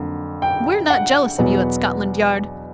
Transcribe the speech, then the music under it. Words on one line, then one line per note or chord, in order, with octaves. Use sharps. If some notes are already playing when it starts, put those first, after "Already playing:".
We're not jealous of you at Scotland Yard.
Already playing: F2 D3 F#3 A#3
G5
F#5
E2 B2 F#3 B3